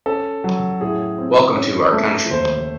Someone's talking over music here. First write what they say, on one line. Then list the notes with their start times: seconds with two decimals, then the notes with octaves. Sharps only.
Welcome to our country.
0.06 C#4 A4
0.44 F#3
0.81 A2 G#4
1.18 C4
1.55 C#4
1.93 A3
2.31 D#2 C5